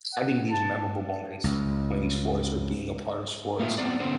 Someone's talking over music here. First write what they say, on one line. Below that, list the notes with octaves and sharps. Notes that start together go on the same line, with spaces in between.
having these memorable moments playing sports or being a part of sports,
F#5
A5
C#2
A2 A#3 F4 E5
B3 C4 D5
D3 B3 C#4 C5